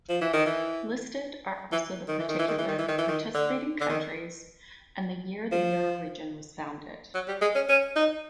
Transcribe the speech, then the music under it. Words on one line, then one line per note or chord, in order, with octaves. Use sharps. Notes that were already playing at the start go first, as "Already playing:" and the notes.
Listed are also the particular participating countries and the year the euroregion was founded.
F3
E3
D#3
E3
E3
D#3
E3
D#3
E3
D#3
E3
D#3
E3
D#3
E3
D#3
D3
D3
D#3
F3
F#3
G3
G#3
C#4
C#4
D#4